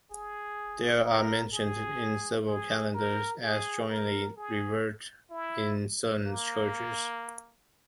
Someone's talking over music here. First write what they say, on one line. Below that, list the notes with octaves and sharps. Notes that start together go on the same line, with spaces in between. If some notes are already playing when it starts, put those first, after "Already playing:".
They are mentioned in several calendars as jointly revered in certain churches.
G#4
A#4
G#4
G#4
A#4
G#4
A#4
G#4
E4
A#3